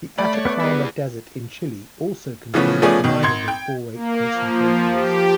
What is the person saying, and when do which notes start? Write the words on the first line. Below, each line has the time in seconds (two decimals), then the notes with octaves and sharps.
The Atacama Desert in Chile also contains mineable borate concentrations.
0.18 A3 D5 B5
0.33 C#5
0.45 B3 B4 D6
0.60 G3 E4 G#4
2.54 C#3 E3 F3 A3 B3 C#4
2.82 F3 A3 B3 C#4 G#4 D5
3.04 B2 D#3
3.23 G#1 C6 G#6
3.48 G5
3.94 A#3
4.32 F3
4.92 G4